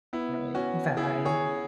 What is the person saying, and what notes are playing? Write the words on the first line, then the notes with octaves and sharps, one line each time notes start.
Right, bye.
B3 E4
C#4 F#4
E4 G#4
G#4 C#5